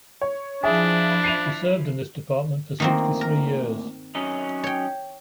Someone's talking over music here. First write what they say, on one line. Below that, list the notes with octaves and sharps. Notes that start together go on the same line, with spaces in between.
He served in this department sixty-three years.
C#5
F3 D4 E4 G#4 E5
C7 D#7 F7
D2 A#2 D#3 A#3 C4
A#4
F#3 C#4 D#4
C#5 G5